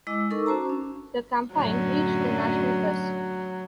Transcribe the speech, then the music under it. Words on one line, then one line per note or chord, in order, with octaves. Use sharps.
The campaign reached the national press.
G#3 E4 D#5 D6 E6
D#4 A4 A#4 C#6 D6 E6
C#4 F#4 C5 A5 A#5
C#4 D4
F#2 A2 D3 F#3